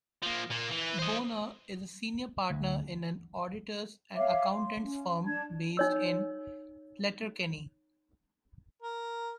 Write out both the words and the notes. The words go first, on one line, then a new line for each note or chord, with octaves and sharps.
Bonner is a senior partner in an auditors and accountants firm based in Letterkenny.
F3 A#3
A#2 A#3
E3
C5 D#5
D2
C#5 E5 F5 D6
C6
C#4
D4 A5 G#6
D#4 C#5 E6
A#4